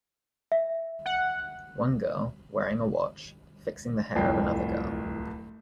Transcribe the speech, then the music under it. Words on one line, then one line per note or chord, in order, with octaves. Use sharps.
One girl, wearing a watch, fixing the hair of another girl.
E5
F#5
D1 C2 F2 G5 C7